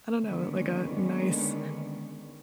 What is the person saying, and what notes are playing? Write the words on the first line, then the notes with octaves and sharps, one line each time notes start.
I don't know, like a nice
D3 D#3 G#3 A#3 B3 C#4